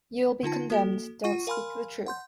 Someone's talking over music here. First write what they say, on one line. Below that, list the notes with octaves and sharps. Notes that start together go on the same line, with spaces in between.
You will be condemned, don't speak the truth!
D3 D#4 F4 A5
A#3 F#4 A4
F4 F#5 C#6 D#7
A#4 F5 G#5 B5 C6 F6
F#5 C6 G6